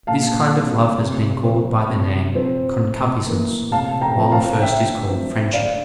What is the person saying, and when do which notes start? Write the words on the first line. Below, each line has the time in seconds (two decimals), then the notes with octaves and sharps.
This kind of love has been called by the name "concupiscence" while the first is called "friendship."
0.07 A#2 F5 A5
0.53 G3 C4
0.98 C3
1.44 C4
1.49 F3
1.90 C3
2.35 F3 C4
2.80 A2
3.26 E3 A#3
3.71 C3 F5 A5
4.01 G5 A#5
4.17 F3 C4
4.32 F5 A5
4.62 D3 E5 G5
5.08 F3 C4
5.53 D3 D5 F5